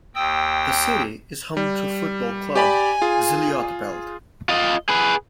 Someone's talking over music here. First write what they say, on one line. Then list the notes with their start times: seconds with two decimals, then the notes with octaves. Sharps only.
The city is home to football club Xilotepelt.
0.15 D#2 G5 D#6 E6
1.57 G3
2.55 G4 D5 G#5 B5
3.02 F4 G#4
4.49 F4 D#5
4.89 G#4 B4